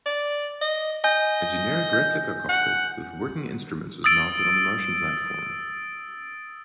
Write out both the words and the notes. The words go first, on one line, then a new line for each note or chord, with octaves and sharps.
A generic replica cockpit with working instruments was mounted on the motion platform.
D5
D#5
D#5 G#5 G6
G6
F#5
D#6 E6 A6 D7